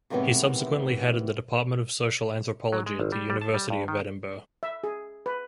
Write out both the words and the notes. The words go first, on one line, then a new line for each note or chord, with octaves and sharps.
He subsequently headed the Department of Social Anthropology at the University of Edinburgh.
A2 C3 D#3 E3 G#3 B3
F#3
G#3
G#1
G3
G3
A5
G3
G2
D#3
E5
G#4
B4